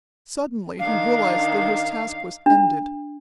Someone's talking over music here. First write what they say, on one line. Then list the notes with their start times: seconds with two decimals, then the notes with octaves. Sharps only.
Suddenly he realized that his task was ended.
0.79 D#3 D4 F5
2.46 D4